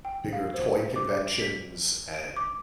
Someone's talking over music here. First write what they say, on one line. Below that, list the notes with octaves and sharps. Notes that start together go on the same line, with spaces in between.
bigger toy conventions and
G5
F5
C5
D6
B6
D7
D6